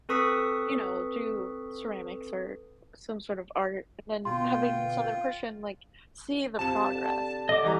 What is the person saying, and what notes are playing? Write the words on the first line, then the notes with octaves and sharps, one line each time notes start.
you know, do ceramics or some sort of art and then having this other person like see the progress
C4 A4 B4 C#6 D#6 B6
B2 D3 B3 F4 G5 C6
C3 F3 A5 E7
D3
D3 D#5 D6
E3 G3 A#5